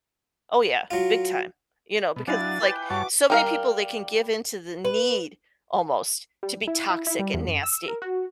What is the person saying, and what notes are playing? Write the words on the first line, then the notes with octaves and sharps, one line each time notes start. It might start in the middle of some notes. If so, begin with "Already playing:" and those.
Oh, yeah. Big time. You know, because it's like, so many people, they can give in to the need almost to be toxic and nasty.
F#3 F4
B2
F#3 D4 E4 F5 G#5 A6
B4 G5 D6
G2 F#4 C#5 A5 D6
G3 A#4 F5
B4
G3
E4
E4
E4
G3
E2
F#2
E6
A#4
F#4